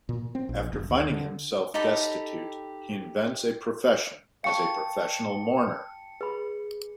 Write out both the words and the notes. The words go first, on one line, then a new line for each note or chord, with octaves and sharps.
After finding himself destitute, he invents a profession as a Professional Mourner.
A#2
C4
A#1
F#1
D#2
D3
D#4 G4 A4 B5
F5 G5 A5 C#6 C#7
G#4 B4 B5